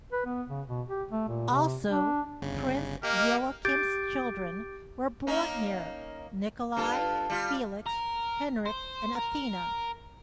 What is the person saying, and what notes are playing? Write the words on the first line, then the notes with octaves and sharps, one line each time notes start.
Also Prince Joachim's children were born here: Nikolai, Felix, Henrik and Athena.
B4
B3
C#3
B2
G4
A3
A#2
C3
D4
G1 C#3
A#3 G4 D#5 F6 C#7
G4 D6 G6 A6 D7
A#3 C#4 D#4
G2 F4 A4
G3 F4
A#4
C5
A#4